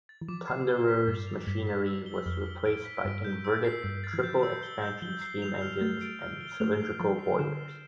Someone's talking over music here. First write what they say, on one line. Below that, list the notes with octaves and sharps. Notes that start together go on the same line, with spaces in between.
"Thunderer"s machinery was replaced by inverted triple-expansion steam engines and cylindrical boilers.
A6
E3
F3 D6
C7
G7
B6
G2 A6
F7
G2 B6
B6
E6
G7
F2 F6
F6
D7
B6
G2 D7
G6
E6
C7
G2 C7
A6
E3
F3 G6
E6
G7
G6
F3 G7
C7
F7
F6
A3 A6
D7
F6
G7
A3 F7
C7
F3 A6
C7
D3 E7
F6